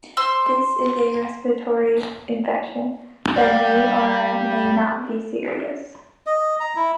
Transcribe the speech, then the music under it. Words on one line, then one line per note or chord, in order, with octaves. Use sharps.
This is a respiratory infection that may or may not be serious.
C5 C6 E6
G3 D5 F5 F#5
D#5
A#5
E4